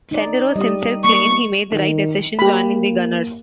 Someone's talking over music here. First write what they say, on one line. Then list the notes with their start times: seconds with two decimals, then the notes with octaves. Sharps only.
Senderos himself claimed he made the right decision joining the Gunners.
0.11 D#4 D5
0.56 G3 D#5
1.04 A#3 C#6
1.73 D#3
2.39 A#3 G4 B5